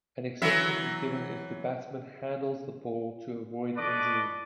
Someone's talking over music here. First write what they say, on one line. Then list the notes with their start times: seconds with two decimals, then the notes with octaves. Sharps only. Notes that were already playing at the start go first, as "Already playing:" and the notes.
An exception is given if the batsman handles the ball to avoid injury.
0.42 E3 F#3 E5
3.76 A4 B4 D5 D#5 C#6 D6